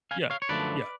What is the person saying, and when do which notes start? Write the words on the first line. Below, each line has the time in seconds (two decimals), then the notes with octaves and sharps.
yeah, yeah.
0.11 F5 G#5
0.30 C#5 F5
0.42 C#5
0.49 F#2 D3 F3 A3 B4 D5